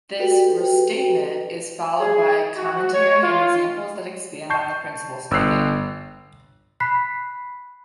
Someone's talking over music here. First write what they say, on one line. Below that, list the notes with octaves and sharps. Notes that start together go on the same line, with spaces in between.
This "restatement" is followed by commentary and examples that expand on the principle stated.
F#4 G4 A4 B4 G5
G#4
F#4
C#5
F4
A5 C#6 G6 C7
G1 E6 F#6 C7
B5 F#6 B6 C7